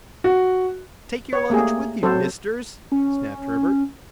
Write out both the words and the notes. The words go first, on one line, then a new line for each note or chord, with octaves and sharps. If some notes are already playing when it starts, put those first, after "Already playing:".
"Take your luggage with you, Misters!" snapped Herbert.
F#4
C#5
A3 A#3 G4 G#4
F#3 C4 A4 C5
C#4